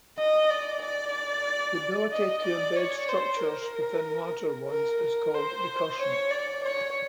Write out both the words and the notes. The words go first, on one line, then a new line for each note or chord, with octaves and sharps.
The ability to embed structures within larger ones is called recursion.
D#5
D5
D5
D#5
D5
C#5
C5
A#4
A#4
A#4
C5
C#5
D5
C#5